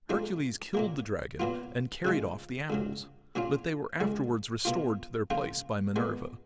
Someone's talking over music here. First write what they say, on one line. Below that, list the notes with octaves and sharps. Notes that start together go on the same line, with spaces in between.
Hercules killed the dragon and carried off the apples, but they were afterwards restored to their place by Minerva.
F2 F3 G#3 D#4
A#2 F#3 A#3
A#2 F#3 B3 F4
C#3 F3 G#3
C#2 C#3 F#3
A#2 F#3 C#4 F4
C#2 C#3 G#3
B2 A#3 F4
C#3 F3 A#3 F4
A#2 G#3 B3